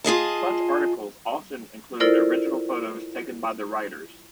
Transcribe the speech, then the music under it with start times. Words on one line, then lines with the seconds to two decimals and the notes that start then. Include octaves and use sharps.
Such articles often include original photos taken by the writers.
0.04 F4 G#4 D#5 A5
2.00 E4 F4 A4 A#4 C5 D5